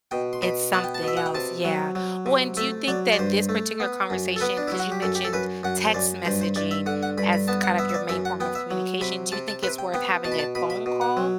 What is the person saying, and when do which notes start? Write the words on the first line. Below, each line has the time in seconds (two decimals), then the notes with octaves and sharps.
It's something else, yeah, well and do you think that this particular conversation 'cause you mentioned text messaging as kind of your main form of communication, do you think it's worth having a phone call
0.11 B2 G5
0.33 C6
0.42 B2 B5
0.73 B3 A5
0.84 G5
0.95 A5
1.03 B2 E5
1.17 F#5
1.26 G5
1.35 C3 A5
1.65 F#3
1.95 F#3
2.26 C3
2.57 A3 E5
2.87 F#3 D5
3.12 D5
3.18 G2 C5
3.49 A3
3.80 B3
4.10 F#2
4.36 A4
4.41 B3 B4
4.57 D4
4.67 F#3 E4
4.79 F#4
4.92 G4
5.02 F#2 A4
5.15 G4
5.25 A4
5.33 F#2 B4
5.63 F#2 F#5
5.83 C5
5.94 F#2 D5
6.25 G2 C5
6.41 C5
6.56 G2 D5
6.71 E5
6.86 D3 F#5
7.03 F#5
7.18 G2 B5
7.33 B5
7.48 B3 A5
7.63 F#5
7.78 B3 E5
7.89 E5
7.94 D5
8.09 F#2 E5
8.25 F#5
8.40 B3 G5
8.55 E5
8.71 F#3
9.01 C3 B5
9.32 C3 A5
9.48 A5
9.63 C3 B4
9.78 G5
9.94 B3 G5
10.24 B2 A5
10.32 B5
10.39 A5
10.55 B2 B5
10.70 B5
10.86 B2
11.01 F#5
11.17 F#3